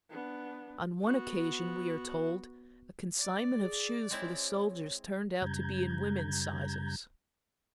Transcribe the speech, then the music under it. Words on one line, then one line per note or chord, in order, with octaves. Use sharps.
On one occasion, we are told, a consignment of shoes for the soldiers turned out to be in women's sizes.
B3 D4
B3 F#4
D5
G#4
G#3 C4 E4 C#5
F#2 C#3 G3 A#5 G6 G#6